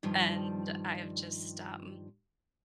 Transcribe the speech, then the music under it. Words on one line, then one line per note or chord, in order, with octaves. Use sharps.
and I have just, um
G2 D#3 F3 G3